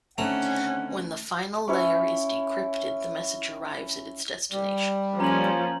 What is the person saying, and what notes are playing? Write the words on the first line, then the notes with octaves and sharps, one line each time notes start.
When the final layer is decrypted, the message arrives at its destination.
D3 D#3 A3 C4 C#4 F#5 A#5
C#4 E4 C#5
G3
F3 A#3 C#4 F4 A#5 F#7